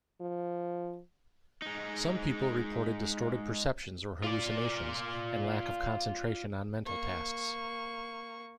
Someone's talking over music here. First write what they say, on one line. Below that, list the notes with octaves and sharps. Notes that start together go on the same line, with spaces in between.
Some people reported distorted perceptions or hallucinations and lack of concentration on mental tasks.
F3
G#3 D#4
F4 D5
A#3 C#6